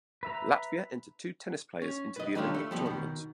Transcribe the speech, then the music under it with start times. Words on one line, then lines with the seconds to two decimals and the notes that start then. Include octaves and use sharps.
Latvia entered two tennis players into the Olympic tournament.
0.23 B4 E5 A#5
1.82 C#4
2.16 B4 D#5
2.35 D#3 G3 A3 C#4 D4 F4
2.54 A3
2.71 F3 G3 B3
2.86 B2 D#3